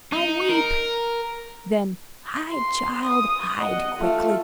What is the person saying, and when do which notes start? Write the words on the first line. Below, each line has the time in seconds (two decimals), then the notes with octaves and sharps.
I weep!" Then: "Hide, child, hide quickly!
0.12 D#4
0.49 A#4
2.51 C6
3.04 D#6
3.60 D#5 F#5
4.00 A3 F4